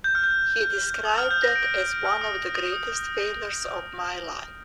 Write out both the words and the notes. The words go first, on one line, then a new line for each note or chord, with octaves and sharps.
He described that as one of the greatest failures of my life...
G6
F6
G6
D#6
F6
G6
A#6
D7
F6
D#6
D#6
D#6